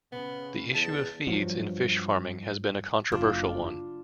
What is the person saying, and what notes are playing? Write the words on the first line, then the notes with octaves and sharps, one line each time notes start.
The issue of feeds in fish farming has been a controversial one.
C#3 B3 B5
E2 G#4 A5
G2 F3 F#3
F#1 D4 F4